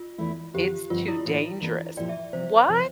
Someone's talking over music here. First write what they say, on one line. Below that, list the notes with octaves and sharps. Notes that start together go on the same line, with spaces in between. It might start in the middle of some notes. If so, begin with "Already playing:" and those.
It's too dangerous." What?
Already playing: F4
E2 E3 A3 E4
F2 D3 F3 G4
G2 D3 F3 C4 F4
E4
A2 E3 A#3
E3 A#3 D4 F4 A4
A#2 F3 A#3 E4 G4 D5
E5
C3 F3 C4 C5
C3 F3